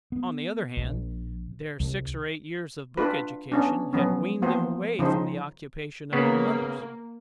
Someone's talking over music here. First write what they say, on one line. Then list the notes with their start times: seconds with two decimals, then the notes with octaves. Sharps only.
On the other hand, their six or eight years of book education had weaned them away from the occupation of their mothers.
0.12 B3
0.77 A#1
1.80 C2
2.98 D4 F4 B4
3.52 B3 C#4 D4
3.93 F3 F#3 B3 C#4
4.42 F3 A#3 B3 F#4 C5
4.99 C#3 F3 D#4 C5
6.13 C#3 A#3 B3